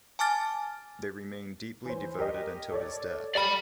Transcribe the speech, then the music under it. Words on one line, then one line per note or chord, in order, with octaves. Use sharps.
They remained deeply devoted until his death.
G#5 A5 D6 F6 A6
E3 C5
G4 A#4 D#5
A4 C#5 D5
G4 D5 B5